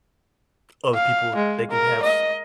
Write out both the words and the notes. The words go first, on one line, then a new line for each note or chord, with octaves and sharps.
other people they can have s
F5
G#3
A#4
D#5